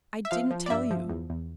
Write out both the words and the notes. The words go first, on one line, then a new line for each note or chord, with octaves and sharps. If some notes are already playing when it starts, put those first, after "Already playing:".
I didn't tell you.
E5
F3 F5
F3
D5
G2 E5
F3
E2
E2